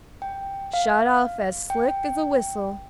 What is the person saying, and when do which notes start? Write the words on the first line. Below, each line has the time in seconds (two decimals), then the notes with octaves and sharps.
Shot off as slick as a whistle.
0.22 G5
0.74 F5
1.70 G5